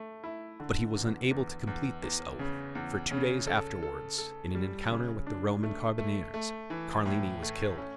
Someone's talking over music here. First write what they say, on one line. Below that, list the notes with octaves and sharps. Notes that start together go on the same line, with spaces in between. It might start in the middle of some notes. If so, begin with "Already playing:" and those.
But he was unable to complete this oath, for two days afterwards, in an encounter with the Roman carbineers, Carlini was killed.
Already playing: A3
E4
D3
E2
E2
E2
E2
C#3
E2
C#3
A4
A4
A4
G3
C#3
D4
A3
A3
A3
E3
A2
A3
C#4